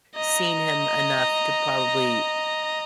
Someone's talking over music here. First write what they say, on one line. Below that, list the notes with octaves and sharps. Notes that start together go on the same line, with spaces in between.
seen him enough to probably
D#5 A#5